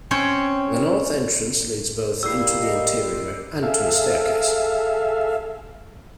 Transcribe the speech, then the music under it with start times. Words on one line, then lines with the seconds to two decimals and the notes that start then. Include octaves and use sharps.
The north entrance leads both into the interior and to a staircase.
0.11 C4 C#4 C#5 G5
2.23 G3 A#3 E4 E6 C7
2.61 D#5
3.00 F4
3.63 G#4 A4 E5 F5